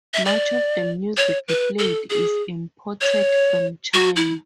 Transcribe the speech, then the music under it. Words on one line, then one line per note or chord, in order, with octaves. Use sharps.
Much of the music played is imported from China.
E5
D5
C#5
B4
A4
G#4
C#5
F#4
E4